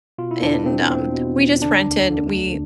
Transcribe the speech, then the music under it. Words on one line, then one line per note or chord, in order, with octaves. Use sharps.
and, um, we just rented we
B2 F4
E4
E2 D4
B2 C4
E2 C4
B2
E2
D3 D4
D2
D3
D2